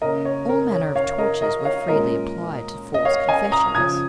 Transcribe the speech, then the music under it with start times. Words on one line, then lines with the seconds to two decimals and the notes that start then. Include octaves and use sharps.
All manner of tortures were freely applied to force confessions.
0.02 C#3 A#3 C#4 A#4 D#5
0.25 C#5
0.49 A#4
0.72 C#5
0.95 C#5 F5
1.18 A#4 D#5
1.42 A#4 D#5
1.65 C#5 F5
1.88 A#2 G#3 C#4 A#4 D#5
2.94 D#5
3.05 C#5 F5
3.29 D#5 G#5
3.52 A#5 D#6
3.75 C#3 F3 C#4 D#6 G#6